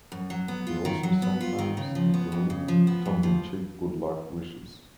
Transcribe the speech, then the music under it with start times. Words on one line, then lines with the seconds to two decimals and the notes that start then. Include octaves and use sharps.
They also sometimes include tongue in cheek good luck wishes.
0.12 F#2
0.30 F#3
0.48 B3
0.67 F4
0.85 D#3
1.03 F#3
1.22 B3
1.41 F4
1.59 D#3
1.77 C#3
1.95 F3
2.14 B3
2.32 F2
2.50 C#3
2.68 F3
2.87 B3
3.06 F2
3.23 F3